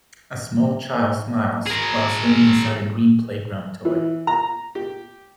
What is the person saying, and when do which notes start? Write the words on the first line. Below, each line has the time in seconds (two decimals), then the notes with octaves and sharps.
A small child smiles while swinging inside a green playground toy.
1.67 G#4 A#4
3.85 E3
4.27 A#5
4.75 G4